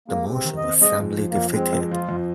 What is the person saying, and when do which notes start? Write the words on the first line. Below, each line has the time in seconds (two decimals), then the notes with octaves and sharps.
The motion was soundly defeated.
0.08 G#3 A#3
0.26 C3
0.32 C4
0.45 D#3
0.57 D#5
0.63 C4
0.81 G#3 D#5
1.00 F2
1.17 F3
1.30 A#3
1.36 F2
1.54 G#3 C4
1.73 F2
1.91 F3 F4
2.09 F2